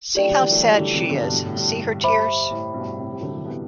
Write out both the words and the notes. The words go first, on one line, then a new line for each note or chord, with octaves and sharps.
See how sad she is, see her tears?
F#3 A3 G4 D5 G5
D3 F#3
E3 G3
F#3 A3
E3 G3
D3 F#3
C3 E3
B2 D3
G2 B2
G2
A2
G2
C5 E5 B5 D6
A2
G2 B2
A2 C3
G3
D3 F#3
E3 G3
G3 B3